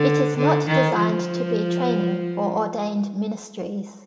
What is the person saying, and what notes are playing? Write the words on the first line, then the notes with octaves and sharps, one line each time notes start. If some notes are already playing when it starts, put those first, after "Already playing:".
It is not designed to be training for ordained ministries.
Already playing: D3
D3
D#3
F3